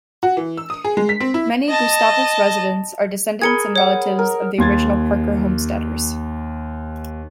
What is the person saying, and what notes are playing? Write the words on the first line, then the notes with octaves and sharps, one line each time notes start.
Many Gustavus residents are descendants and relatives of the original Parker homesteaders.
F#4
E3
E6
D#6
G#4
G#3
B6
C4
E4
D#5 A5
G#4 A#4 B5 G#6 C#7 G7
C#5 F#5
A#4
D#2 C6 G#6 A6